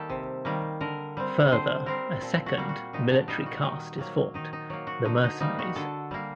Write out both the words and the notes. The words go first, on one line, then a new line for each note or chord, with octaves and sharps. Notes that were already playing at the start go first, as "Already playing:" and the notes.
Further, a second, military caste is formed: the Mercenaries.
Already playing: D#3 G3 A#3 G4 A4
C3
D#3 G3 A#3
D3 A#4
G3 C4
D3 C5
G3 C4 A#4
A#2 A4
F#4
G3 A#3
F#4
A#2 D#4
D4
G3 A#3 D#4
F#4
D#3 D#4
F#3 A#3
D#3 D#4
D#4
F#3 A#3
F#4
D3 D#4
D#4
G3 A#3 D#4
F#4
D3 A4
G3 A#3